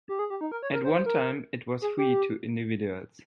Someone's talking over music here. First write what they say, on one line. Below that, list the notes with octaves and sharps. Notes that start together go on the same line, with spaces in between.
At one time it was free to individuals.
G4
G#4
G4
D#4
A#4
C#5
A#4
C5
C5
A#4
G#4
G4